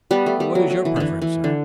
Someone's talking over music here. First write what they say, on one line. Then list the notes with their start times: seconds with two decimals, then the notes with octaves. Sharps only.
"What is your preference, sir?"
0.11 G3 B3
0.26 A3
0.40 G3
0.55 F#3
0.70 F#3
0.85 E3
0.96 D3 E3
1.22 E3
1.44 D3